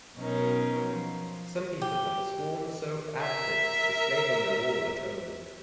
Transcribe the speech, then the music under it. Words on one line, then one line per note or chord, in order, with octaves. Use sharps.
Some people had the Swan soap ad prints displayed on their wall at home.
B2 F#3 C#4 D#4 A#4
F3
G4
A#4 E5